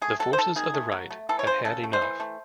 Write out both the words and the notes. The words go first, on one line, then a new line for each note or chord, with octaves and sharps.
The forces of the right had had enough.
A3 G#4
F#3 A4
C5
D#3 A4
D#3 G#4
A3
F#3
A3
E3 A4
C#5
C#3 C5
C#3 A4
A3
C5
E3
A3